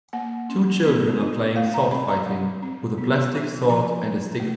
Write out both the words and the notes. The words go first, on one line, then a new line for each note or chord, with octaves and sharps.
Two children are playing sword fighting with a plastic sword and a stick.
A#3 F#5
C#4
B3
D4
A3 F5
A#5
C4 B5
A#5
G3
C4
B3
D4
F3 A#5
A3
A3